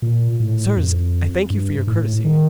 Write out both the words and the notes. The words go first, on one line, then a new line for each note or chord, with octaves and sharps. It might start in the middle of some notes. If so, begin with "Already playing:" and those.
'Sirs, I thank you for your courtesy.
A#2
A2
F2
G2
A2
D#3